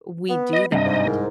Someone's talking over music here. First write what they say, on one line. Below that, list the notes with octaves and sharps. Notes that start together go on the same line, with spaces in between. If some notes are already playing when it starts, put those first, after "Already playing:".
we do that.
B3
D#5
G2 C3 D4 D#5
G#2
C2 A#4